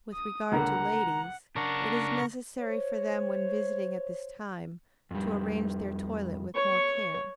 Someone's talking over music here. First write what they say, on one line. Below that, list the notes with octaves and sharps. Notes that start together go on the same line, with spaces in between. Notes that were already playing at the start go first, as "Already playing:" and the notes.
With regard to ladies, it is necessary for them when visiting at this time, to arrange their toilet with more care.
D#6
C#2 D3 A#3 F#5 A#5
C#3 D4 A#4 F#5 C#6
C5 C#5
F2 G3
C#5 C#6